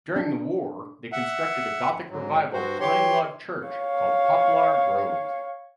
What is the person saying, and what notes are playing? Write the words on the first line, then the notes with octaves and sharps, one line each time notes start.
During the war they constructed a Gothic Revival pine-log church called Poplar Grove.
D4
E5 F#5
G#2 F#3
G2 F#4 C5
E3 G4 C#5 C6
C#5 F5